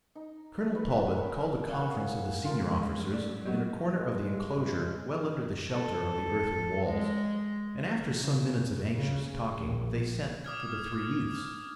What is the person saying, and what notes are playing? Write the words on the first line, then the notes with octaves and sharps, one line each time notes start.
Colonel Talbot called a conference of the senior officers in a corner of the enclosure well under the shelter of the earthen walls, and after some minutes of anxious talking they sent for the three youths.
D#4
B4 C#5
G#4 A#4 C#5 E5
F5 F#5 G#5
F4 A#4
G#3 C#4 E4 G#4 A#4
A3 C#4 E4 D5
F#2
F#3 B3 D#4 F#4 G4 D#5
G2 G#3
A4
G#3
C#3
C#3
A#1
D6 D#6 F6 G#6